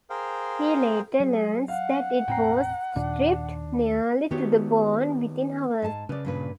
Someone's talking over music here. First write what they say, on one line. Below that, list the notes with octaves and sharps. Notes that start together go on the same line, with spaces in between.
He later learns that it was stripped, nearly to the bone, within hours.
G#4 A#4 C5 F5 G5
F#3 G#4
F5 F#5
E1 A2 C4 G5 A#5 C7
D#2 A#2 D4
D#3 B3 F#4 G4 C#5
G#2 A5
C#3 B4 D5
G2 A#2 B4